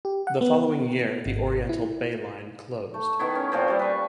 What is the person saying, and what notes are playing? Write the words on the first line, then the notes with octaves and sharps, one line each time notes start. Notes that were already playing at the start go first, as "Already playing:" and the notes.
The following year the Oriental Bay line closed.
G4
F#5
B3
G#1
E4
A3
D#3 B3 E4
C#4
A#2 F3 C4
G3 D5
B4 C#6